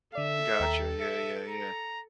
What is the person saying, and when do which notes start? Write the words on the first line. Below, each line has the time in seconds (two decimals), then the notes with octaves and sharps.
Gotcha, yeah, yeah, yeah.
0.15 D3 A4 D5 E5
0.60 D#2 G5 A#5
1.00 E5 A6 C#7
1.49 A#5